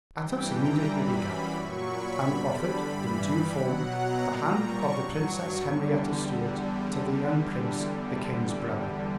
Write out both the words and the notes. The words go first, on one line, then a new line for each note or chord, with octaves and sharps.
Athos immediately began and offered in due form the hand of the Princess Henrietta Stuart to the young prince, the king's brother.
G2 E3 G3 G5
A#5
F#2 E3 G3 B5
A#2 F#3 C#6
B5
E2 D3 G3
B5
G2 E3 G3
B2 F#3 F#5
A#5
A#2 G3
C#6
G2 F#3
E2 D3 G3